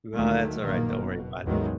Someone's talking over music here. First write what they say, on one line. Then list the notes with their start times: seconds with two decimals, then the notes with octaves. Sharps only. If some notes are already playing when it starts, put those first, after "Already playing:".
No, that's alright. Don't worry about it.
0.14 D2 D#3 F#3 A3 A#3
0.61 A#1 F#2 B2 D#3 A#3
0.92 F#1 B2
1.44 A1 E2 A2 D#3 F#3 G#3